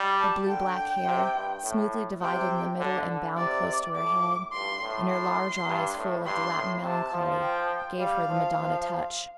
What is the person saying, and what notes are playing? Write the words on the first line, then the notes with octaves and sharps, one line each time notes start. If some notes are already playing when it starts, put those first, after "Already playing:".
Her blue-black hair, smoothly divided in the middle and bound close to her head, and her large eyes full of the Latin melancholy, gave her the Madonna touch.
Already playing: G3
A5
D3 G5
C3
G2
A2
C3 G5
D3
D3
C3 D5
A2 D6
G2 C6
A2
C6
G2
A2
G2 C6
A2
C3 A5
F3
G5
G3 F5
F3
F3